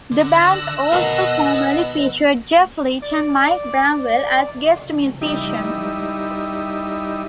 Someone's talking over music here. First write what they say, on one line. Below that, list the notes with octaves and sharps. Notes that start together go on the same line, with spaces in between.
The band also formerly featured Jeff Leach and Mike Bramwell as guest musicians.
D3 E6 F#6 A#6
B2 D#3 B4 F#5
D5
G3 D#4 E4